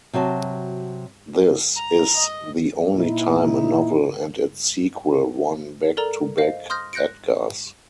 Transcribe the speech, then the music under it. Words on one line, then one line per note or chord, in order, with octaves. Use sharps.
This is the only time a novel and its sequel won back-to-back Edgars.
C3 F#3 F#4 D5 A5
A#5
D#5
A#2 D#4 E4
A4 A#4 D5 A#5
C5 D#5 F5
C6 D#6 F6 G6 A#6
F#6 G6 A#6 C#7 D7